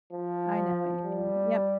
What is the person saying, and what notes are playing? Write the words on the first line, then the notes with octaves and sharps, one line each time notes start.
I know what you mean, yep.
F3
G3